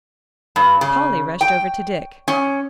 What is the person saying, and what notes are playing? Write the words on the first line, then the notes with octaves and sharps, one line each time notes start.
Polly rushed over to Dick.
G2
C#3
G5
C#4